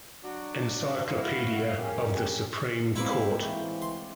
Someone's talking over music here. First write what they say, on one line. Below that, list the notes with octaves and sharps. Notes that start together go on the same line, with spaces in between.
Encyclopedia of the Supreme Court.
F#3 D4 F#4
G2 A#2 E4 F#4 F5
F2 C#4 G4 G#4 A#4
B2 G#3 A#3 C4 E4 B4 C6
E3 A3 G4
C6